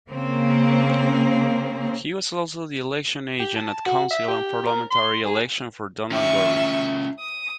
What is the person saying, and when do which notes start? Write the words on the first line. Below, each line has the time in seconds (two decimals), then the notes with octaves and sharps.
He was also the election agent at council and parliamentary elections for Donald Gorrie.
0.11 C#3 A#3 C4
3.39 G4
3.56 A5
3.86 F#4
4.11 E5
4.28 G4
4.67 A#4
4.90 C6
5.25 G#4
6.11 C#4 F4 E5 G5 C#6
7.20 D#6